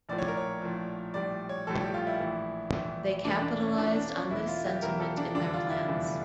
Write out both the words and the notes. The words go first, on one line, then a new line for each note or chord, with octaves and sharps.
They capitalized on this sentiment in their plans.
A#1 A2 F3 D5
C#5
A#4
C#5
A#1 A2 F3
A#1 A2 G3 D5
C#5
A#1 A2 G3 A4
G4
F4
E4
A#1 A2 E3
A#1 A2 E3
E1 E2 E3 D4
D4
C#4
E1 E2 E3 D4
D4
C#4
E1 E2 E3 E4
F4
G4
E1 E2 E3 A#4
A4
D4
F1 E2 D3 G3 D4
F4
E4
F1 E2 D3 G3